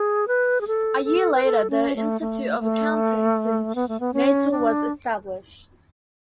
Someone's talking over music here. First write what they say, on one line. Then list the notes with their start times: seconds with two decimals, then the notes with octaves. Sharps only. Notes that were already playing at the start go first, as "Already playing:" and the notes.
A year later the Institute of Accountants in Natal was established.
Already playing: G#4
0.28 B4
0.61 G#4
0.67 A4
1.05 A4
1.34 B4
1.44 A4
1.70 C#4
1.96 A3
2.21 A3
2.60 A3
3.75 B3
3.88 A3
4.00 B3
4.14 C#4
4.52 D4